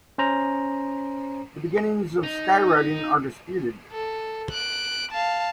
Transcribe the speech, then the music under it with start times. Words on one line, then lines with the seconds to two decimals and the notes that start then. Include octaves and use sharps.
The beginnings of skywriting are disputed.
0.18 C#4 C5 A#5
2.23 D#4
3.92 A4
4.51 F#6 D7
5.12 F5 A5